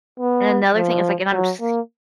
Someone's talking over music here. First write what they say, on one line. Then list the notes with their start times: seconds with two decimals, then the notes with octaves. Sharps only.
And another thing is, like and I'm s
0.20 B3
0.76 F3
1.32 F#3
1.61 A#3